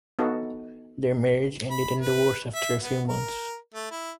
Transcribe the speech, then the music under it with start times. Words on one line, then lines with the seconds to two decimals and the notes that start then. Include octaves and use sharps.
Their marriage ended in divorce after a few months.
0.19 B3 D#4 F#4 A4
1.70 B5
2.01 B4
2.54 E5
2.83 B3
3.08 A#4
3.74 A3
3.91 E4